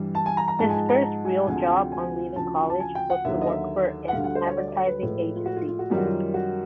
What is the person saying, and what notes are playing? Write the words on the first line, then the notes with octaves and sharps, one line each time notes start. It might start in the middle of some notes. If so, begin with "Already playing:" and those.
His first real job on leaving college was to work for an advertising agency.
Already playing: G2 E3 G3
A5
G#5
A#5
A#5
G#2 F3 G#3 A5
G#5
A5
A#5
A5
G#5
D2 C3 F3 G#3 G#5
A5
G#5
G5
G#5
D2 C#3 F3 A5
A5
G#5
G5
F#5
D#2 D3 F#3 E5
D#5
E5
F#5
D2 D3 G3 F5
F#5
C5
C#5
D5
D5
C#5
B4
A2 F3 G#3
F4
F#4
F4
F4
F#4
F#2 D#3 G3 F4
F#4
F4
F#4